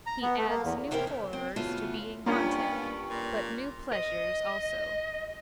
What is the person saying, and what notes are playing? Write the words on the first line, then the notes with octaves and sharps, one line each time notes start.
He adds new horrors to being haunted, but new pleasures also.
A#5
B3
A3
A#3
E2
C3 E3 C4 C#4 A#4 E5
C#3
C4
C#3 E3 A3 B3 F4 F#4
G2 A#3 B3 C#4 F4
A#2
D#5